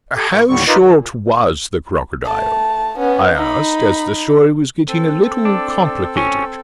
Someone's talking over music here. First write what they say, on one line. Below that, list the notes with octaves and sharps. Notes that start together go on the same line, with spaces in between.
"How short was the crocodile?" I asked, as the story was getting a little complicated.
G4 A4
A2 A#3 C#6
D#2 A2 D3 G3 C#6
D#4 F4 A#4 B4 D5 D#5
D#3 F#4
A#2
A3 A5
B3 C#4
D#4 B5
C4 A4
D4
C#4